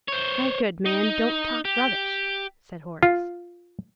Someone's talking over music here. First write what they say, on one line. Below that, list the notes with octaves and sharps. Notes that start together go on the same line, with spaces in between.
"My good man, don't talk rubbish!" said Horace.
C5 C#5
D#4
G4
F4